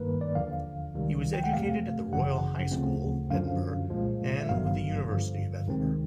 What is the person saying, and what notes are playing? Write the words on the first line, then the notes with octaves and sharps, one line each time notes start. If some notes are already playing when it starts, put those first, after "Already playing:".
He was educated at the Royal High School, Edinburgh, and the University of Edinburgh.
Already playing: G2 D#3 G3 A#3 A#4 B4
D5
D#2 D3 F3 F5
C#2 C3 D#3 G3
G5
F#5
F2 C3 F3 A3 F5
G#1 F#2 C#3 E3 F#5
D2 C#3 F3 A3 C4
F#2 D3 F3 F5
C2 A#2 F3 G#3
E5
G#1 G2 D#3 F#3 B3 F5
G2 D3 F3
D2 C3 D#3 G#3 C4